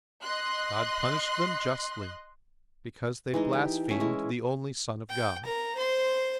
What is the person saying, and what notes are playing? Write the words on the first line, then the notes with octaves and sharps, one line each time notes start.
God punished them justly, because they blasphemed the only Son of God.
D#5 C6 F#6
E3 G#3 D#4
G4
A3 C#4 E5
G#3 E4
G5
A#4 A#5
C5 C6